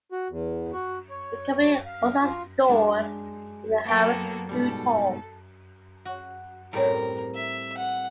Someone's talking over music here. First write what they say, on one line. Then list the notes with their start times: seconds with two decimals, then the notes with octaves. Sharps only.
The company also has a store in the Harrods Food Hall.
0.12 F#4
0.30 E2
0.73 F#4
1.10 C#5
1.85 F5
2.23 F4
2.69 G#3 D4
3.86 F#3 A#3 B3 A4 G5
4.49 G#2 B2 G3 A4
6.05 F#4
6.73 A2 G3 C4 A#4
7.35 E5
7.77 F#5